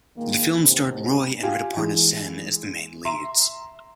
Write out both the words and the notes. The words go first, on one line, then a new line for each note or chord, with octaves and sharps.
The film starred Roy and Rituparna Sen as the main leads.
A#2 D#3 G#3 A#3
D#2 G#2 C3
F4 G4 F5 G5 G#5
E3 G#3
E5 A#5 C6